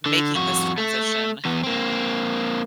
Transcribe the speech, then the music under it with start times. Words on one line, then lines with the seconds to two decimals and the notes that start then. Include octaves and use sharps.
"making this transition.
0.06 D3
0.35 F2 F#4
0.78 A3
1.45 E2 B3
1.63 A#3 C4